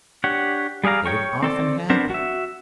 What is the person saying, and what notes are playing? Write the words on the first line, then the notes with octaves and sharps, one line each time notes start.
Did it often happen?
D4 G4 C#5 F#5
G3 G#4 D5 F5 A#5
C#5 G5 C#6
C4 A4 D5
B3 C4 D4 A#4 C5
F#4 E5